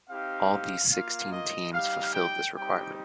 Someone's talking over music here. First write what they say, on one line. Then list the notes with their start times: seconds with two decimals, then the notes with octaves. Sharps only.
All these sixteen teams fulfilled this requirement.
0.09 C4 D#4 G4 F5
0.91 A#3 F4 F5
1.32 D#5
1.74 G3 D#4 G4 F5
2.14 G5
2.55 G3 C4 D#4 G4 G5